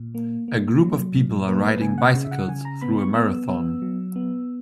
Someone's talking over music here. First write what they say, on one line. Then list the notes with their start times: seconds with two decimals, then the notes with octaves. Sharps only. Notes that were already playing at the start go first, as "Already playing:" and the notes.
A group of people are riding bicycles through a marathon.
Already playing: A#2
0.15 A#3
0.48 A#3
0.81 F#3
1.15 A#2
1.48 A#3 B4
1.65 B4
1.81 C#3 G#5
1.98 F#5
2.15 C#3
2.25 E5
2.31 F#5
2.48 C#3 G#5
2.65 A#5
2.81 B3 B5
2.98 C#6
3.15 B3 E6
3.49 B3
3.82 F#3
4.16 B3